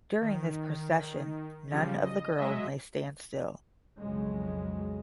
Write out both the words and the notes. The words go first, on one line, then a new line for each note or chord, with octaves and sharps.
During this procession, none of the girls may stand still.
D#3
C#3 F3 G3
D#5
F#3 G#3 D#5 E5
B1 F2 C#3 F#3 G#3